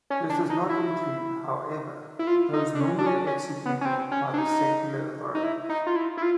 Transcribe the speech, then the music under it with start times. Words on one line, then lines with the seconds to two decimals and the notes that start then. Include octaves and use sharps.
This does not include, however, those normally executed by the secular authorities.
0.10 C#4
0.30 D4
0.50 D#4
0.69 E4
2.19 E4
2.27 F4
2.53 D#4
2.75 D4
2.80 C#4
2.98 D4
3.06 C#4
3.27 C#4
3.66 B3
3.81 C#4
3.85 C4
4.12 C#4
4.34 D4
4.38 D#4
5.35 D#4
5.43 E4
5.69 D#4
5.87 F4
5.96 E4
6.17 E4
6.22 F4